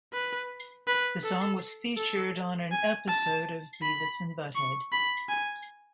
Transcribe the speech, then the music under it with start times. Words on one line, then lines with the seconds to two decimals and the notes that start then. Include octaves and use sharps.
The song was featured on an episode of "Beavis and Butthead".
0.14 B4
0.87 B4
1.24 A4
1.98 A4
2.72 G#5
3.08 A5
3.82 B5
4.55 C#6
4.92 B5
5.29 G#5